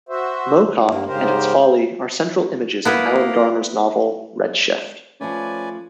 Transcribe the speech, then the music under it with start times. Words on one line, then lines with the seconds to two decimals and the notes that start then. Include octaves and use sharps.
Mow Cop and its folly are central images in Alan Garner's novel, "Red Shift".
0.09 F#4 C5 E5
0.83 G2 A#3
1.06 G#2 C#3 G4 A#4 C5
2.85 A#3 B3 E4 B4
5.21 F3 A3 C#4 B4 D5 G#5